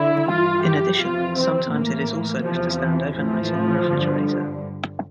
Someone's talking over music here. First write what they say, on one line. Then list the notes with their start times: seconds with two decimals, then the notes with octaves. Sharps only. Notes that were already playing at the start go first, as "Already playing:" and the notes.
In addition, sometimes it is also left to stand overnight in the refrigerator.
Already playing: D3 E4
0.27 G2 E3 F4
0.63 G4
0.99 F2 C3 E3 F4
1.35 C4
1.71 A2 E3 A#3
2.43 E2 C3 E3 F3
2.79 E3
3.14 A2 E3 F3
3.88 G2 D3